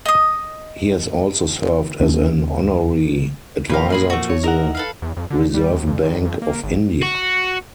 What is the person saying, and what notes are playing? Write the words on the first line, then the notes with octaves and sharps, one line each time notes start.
He has also served as an honorary advisor to the Reserve Bank of India.
D#5 D#6
D#2 A#3 C#4 D4
A#2 F3 A#3 B4 F5
G#4 B5 C6
A3 F#4
C#5
D#4 E4 A#4 F#5
A4 B4 F5
E2
F2
D3
G3
D#2
F2
E2
F2
A#3
G#1
F#4